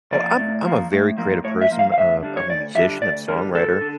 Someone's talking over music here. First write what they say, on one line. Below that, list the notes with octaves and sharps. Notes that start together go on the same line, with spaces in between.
oh, I'm I'm a very creative person, uh, I'm a musician and songwriter.
F3 A#3 D5
A2
F3 A#3
A2
F3 A#3
A2 C#5
E5
F3 A#3
F5
F5
D2 E5
D3 G3
C#5
D2 D5
G3 E5
D3
D2 D5
D3 G3 A#4
D2 A4
D3